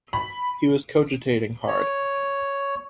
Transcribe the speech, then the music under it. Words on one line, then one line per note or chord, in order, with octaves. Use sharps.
He was cogitating hard.
B5
C#5